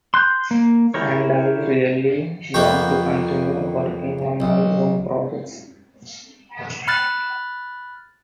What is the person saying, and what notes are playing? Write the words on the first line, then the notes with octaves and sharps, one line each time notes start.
And I really want to continue working on my own projects.
C6 F#6 G6
A#3
E4 G4 A#4 C#5
F2 A#3 B3 G5 C#6
B1
B5 F6 F#6 A6